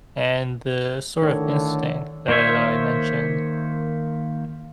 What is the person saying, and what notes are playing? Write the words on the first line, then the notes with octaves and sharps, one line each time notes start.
and the sort of instinct that I mentioned.
A2 D3 D#3 C#5
D#3 A#3 C5 C#5 E5